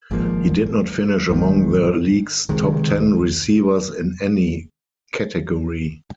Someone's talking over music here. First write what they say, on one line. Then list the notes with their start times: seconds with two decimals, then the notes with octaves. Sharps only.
He did not finish among the league's top ten receivers in any category.
0.11 G#1 G#2 F3 A#3
1.30 G#1 G#2 D#3
2.49 C#2 C3 D#3 G#3